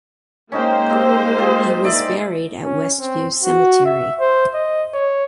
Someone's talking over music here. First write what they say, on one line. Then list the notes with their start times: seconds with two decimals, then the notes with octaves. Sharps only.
He was buried at West View Cemetery.
0.52 G#3 A#3 C#4 D#4 C5 G5
0.90 C4 D#4 G4
1.38 F4 G4 G#4
1.84 D#4 D5 E5
2.63 C#4
3.00 C4
3.43 F#4
3.86 E5
4.20 C5
4.54 D#5
4.94 C#5